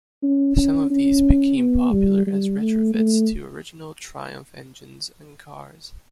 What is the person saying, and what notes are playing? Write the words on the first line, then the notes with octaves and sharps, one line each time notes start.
Some of these became popular as retrofits to original Triumph engines and cars.
C#4
C#4
C#4
B3
G3
G3
A3
A3